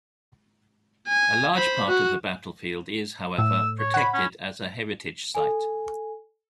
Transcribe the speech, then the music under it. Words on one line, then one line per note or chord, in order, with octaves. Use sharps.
A large part of the battlefield is, however, protected as a heritage site.
G#5
C5 B5
F#4
A2 E6
C#5
F#5 B5
C#4
A4 G#5